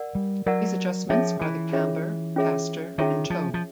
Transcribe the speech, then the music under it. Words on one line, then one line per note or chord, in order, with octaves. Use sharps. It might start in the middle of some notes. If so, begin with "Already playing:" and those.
These adjustments are the camber, caster and toe.
Already playing: A#4 D5 F#5
G3
F#3 A#4 D5 F#5
F3 C#4 F4 G#4 C#5 E5
E3
C#4 F4 G#4 C#5 E5
C#4 F4 G#4 C#5 E5
D#3 C#4 F4 G#4 C#5 E5
F3
F3